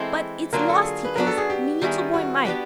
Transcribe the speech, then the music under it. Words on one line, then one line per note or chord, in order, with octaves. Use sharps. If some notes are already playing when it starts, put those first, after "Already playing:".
But it's lost he is, me little boy Mike.
Already playing: E3 G#3 C4 E4 A4
D3 F#3 A#3 D4 F4 A#4
A4
G#4
B4
F#3 B3 D4 F#4 A#4
A4
G#4
G4
D#3 G3 B3 E4 G#4
F#4
B3 D4 G4 B4